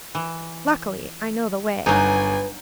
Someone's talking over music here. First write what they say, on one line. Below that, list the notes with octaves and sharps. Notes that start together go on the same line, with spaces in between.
Luckily, I know the way.'
E3
G1 F#3 D#4 B4 G#5